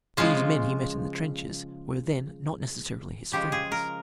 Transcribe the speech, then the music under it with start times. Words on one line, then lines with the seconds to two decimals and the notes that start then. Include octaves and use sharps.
These men he met in the trenches were then not necessarily his friends.
0.17 C#3 F3 G#3 F4
3.32 C#3 F3 G#3 G4
3.52 G#4
3.72 A#4